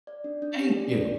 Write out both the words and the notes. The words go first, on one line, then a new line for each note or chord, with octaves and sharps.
Thank you.
D5
D4
D4
G4
D5
D4